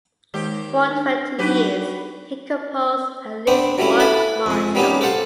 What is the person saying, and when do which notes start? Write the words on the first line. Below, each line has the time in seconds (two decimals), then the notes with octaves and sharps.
For twenty years he composed at least one march a week.
0.34 D#2 G#3 G4 C5
0.91 D4
1.39 F#3 D4 D#4 F#4 G4 B4
3.47 B3 C4 D4 C5
3.78 F#3 G3 A3 C#4 E4
4.00 E4 A4 G#5 A5 B5
4.46 F2 G#3
4.75 G3 A#3 B3 C#4 D#4 G4
5.01 A4 C5 F5 F#5 A5